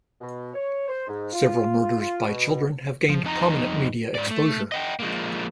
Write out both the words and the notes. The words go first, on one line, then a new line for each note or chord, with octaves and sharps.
Several murders by children have gained prominent media exposure.
B2
C#5
C5
G#2
F4
F4
B2
F3
F2 D#4 A5 A#5
G#2 D5
A3
D#5 F#5 G5
F3 G#3 A#3